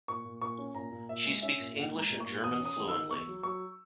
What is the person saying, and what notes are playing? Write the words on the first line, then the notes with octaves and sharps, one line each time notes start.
She speaks English and German fluently.
A#2 C#6
A#2
A#2 C#6
C#4
A#2 A#5
A#2
A#2 E5
G#3
C#4 E5
A#2
A#2
G#3
A#5
A#2
C#6
A#2
E2 D#6
C#4
D#6
D#3
E6
D#3
E2 C#6
F#3
F#3 C#6